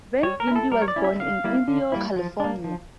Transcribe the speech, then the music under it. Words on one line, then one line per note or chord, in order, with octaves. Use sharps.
Van Gundy was born in Indio, California.
G3 C#5
A#4
C#4
E4 A4
G3 A#4
C#5
D5
C#4 E4
E5
D3 F5
G3 A#3 E4
D3
G3 A#3 E4
F3
A#3 D4
F3